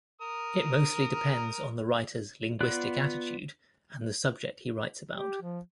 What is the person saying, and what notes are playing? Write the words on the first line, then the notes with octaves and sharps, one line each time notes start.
It mostly depends on the writer's linguistic attitude and the subject he writes about.
A#4 D#6
B3 F4 D5 F#6
G4
F3